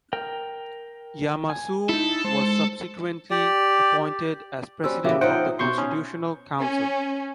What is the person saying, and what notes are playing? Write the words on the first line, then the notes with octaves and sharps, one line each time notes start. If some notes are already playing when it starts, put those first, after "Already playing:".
Yamassoum was subsequently appointed as President of the Constitutional Council.
A#4 G5
G#5
D#4 E4 A4
G#3 C5
G4 D5
G3 C#4 F#4 C5 E6
C#3 E3 F#3 A#3 G4 E5
F3 D#4 C5 C#5 E5 F#5 G5
B2 C6 C#6 G6
C#4 D#4 F#4 D#6
C#4